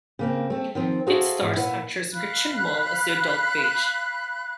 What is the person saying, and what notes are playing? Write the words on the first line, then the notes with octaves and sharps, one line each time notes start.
It stars actress Gretchen Mol as the adult Page.
C#3 A#3 C4
A3 C4
D#3 F3 C4
F#4 G#4 A4 C5 E5 F5
E2 G#2
A#2 E4 B4 E5 F#5
F5 B5 F#6